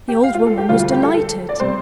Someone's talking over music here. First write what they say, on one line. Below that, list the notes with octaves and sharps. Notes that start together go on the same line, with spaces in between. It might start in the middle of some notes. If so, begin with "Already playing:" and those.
The old woman was delighted.
G4
F5
F4
A4
G4
D2 D3 G3 F4
F4
G4
A4
A4
D5
C3 G3 C5